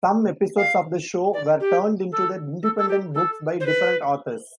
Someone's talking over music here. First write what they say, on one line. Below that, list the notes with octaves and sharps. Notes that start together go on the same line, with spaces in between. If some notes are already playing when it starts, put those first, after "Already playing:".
Some episodes of the show were turned into the independent books by different authors.
F5
D5
G4
A4
A4
A4
G4
A4
C5
B4